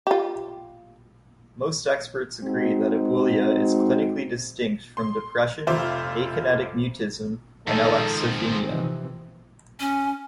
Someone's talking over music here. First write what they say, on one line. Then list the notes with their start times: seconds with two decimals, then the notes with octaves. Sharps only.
Most experts agreed that aboulia is clinically distinct from depression, akinetic mutism, and alexithymia.
0.07 F4 G4
2.44 G#3 C4 D#4 F#4
4.97 C6
5.67 F1 F4 C5 E5 D6
7.68 G#2 D#3 F3 D#4 G#4 A4
8.22 C4
8.67 C3 E3 F3
9.80 C#4